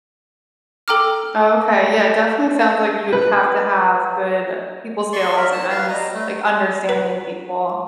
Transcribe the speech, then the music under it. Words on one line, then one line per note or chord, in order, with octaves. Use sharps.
Okay, yeah, definitely sounds like you would have to have good people skills a and just, like, understanding people
A4 G5 A#5 D6 F6
B4
D5 C6 C#6
A#4 E5
A5
B4 F5
F#3 G3 D#5 A#5
A3
B4